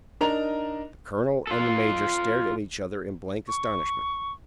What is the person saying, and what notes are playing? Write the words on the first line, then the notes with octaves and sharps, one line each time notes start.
The colonel and the major stared at each other in blank astonishment.
D4 D#4 A#4 D#5 A#5 F7
F4 A4
C#6